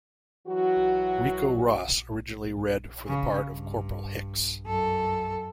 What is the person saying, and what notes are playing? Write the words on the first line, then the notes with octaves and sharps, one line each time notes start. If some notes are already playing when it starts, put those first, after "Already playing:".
Ricco Ross originally read for the part of Corporal Hicks.
E3 F#3 F#4
C#3
G2
F#2 A4